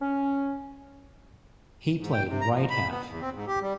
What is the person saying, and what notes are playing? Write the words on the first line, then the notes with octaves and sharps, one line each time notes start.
He played right half.
C#4
G#2
G5
C3
A#5
F3
B5
B3
E2
C4
G#2
G4
G3